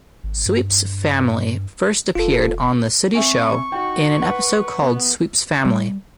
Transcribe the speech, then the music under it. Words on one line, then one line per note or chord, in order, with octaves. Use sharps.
Sweep's family first appeared on the Sooty Show in an episode called "Sweep's Family".
G#1
G2
E1 F4 A4
C4 E5 G#5 C#6
D#4 F#4 G5
B4 F#5
B3
G3